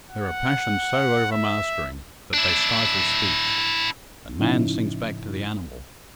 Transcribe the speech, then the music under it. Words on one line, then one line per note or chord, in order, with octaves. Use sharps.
There are passions so overmastering that they stifle speech, and man sinks back to the animal.
F#5
E5
D4 E4
A2 C#3 F3 C#4 D#4 E4